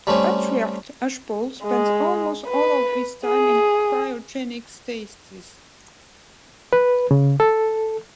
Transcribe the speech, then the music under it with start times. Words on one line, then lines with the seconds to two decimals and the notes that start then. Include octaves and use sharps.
The patriarch Ashpool spends almost all of his time in cryogenic stasis.
0.07 G3 A3 C4 C#4
1.64 G#3
2.48 B4
3.25 G#4
6.73 B4
7.11 C#3
7.40 A4